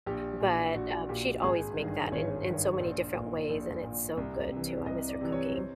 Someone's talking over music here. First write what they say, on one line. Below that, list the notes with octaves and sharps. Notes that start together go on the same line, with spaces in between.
but, um, she'd always make that in in so many different ways, and it's so good too, I miss her cooking.
A#1 G4
A#2
A#1 F#4
A#2 G4
G#1 G#4
G2 D#3
G#1 C#5
G2 D#3
A#1 C5
A#2
A#1
A#2
C2
C3 E3
C2 D#5
D5
C3 E3
C#5
C5